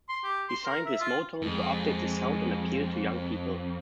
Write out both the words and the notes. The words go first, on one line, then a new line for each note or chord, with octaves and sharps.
He signed with Motown to update his sound and appeal to young people.
C6
G4
C6
A#4
E5
F4
F2 G#3